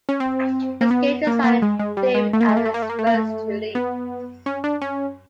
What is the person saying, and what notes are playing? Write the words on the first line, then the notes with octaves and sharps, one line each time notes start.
It was game designer David Allen's first release.
C#4
C4
A#3
B3
A#3
A#3
G#3
G#3
G3
G#3
A3
A#3
A3
A#3
A3
A#3
A3
A#3
A3
A#3
A3
B3
C#4
D4
C#4